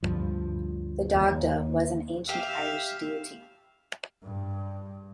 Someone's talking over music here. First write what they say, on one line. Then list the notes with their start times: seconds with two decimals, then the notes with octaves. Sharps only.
The Dagda was an ancient Irish deity.
0.03 D2 G2 F3
1.15 D#2
2.29 G4 E5 F5
4.23 G2